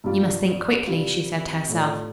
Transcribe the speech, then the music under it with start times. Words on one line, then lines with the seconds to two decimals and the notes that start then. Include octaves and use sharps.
"You must think quickly," she said to herself.
0.04 G2 G3 F4 D5
0.86 C3 G3 F4
1.68 A2 A3 F4 D5